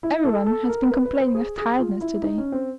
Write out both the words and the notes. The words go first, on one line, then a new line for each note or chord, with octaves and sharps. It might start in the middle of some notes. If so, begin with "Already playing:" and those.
Every one has been complaining of tiredness to-day.'
E4
A4
A4
A#4
B4
B4
C5
G#4
G#4
F4
E4
D#4
C#4
C4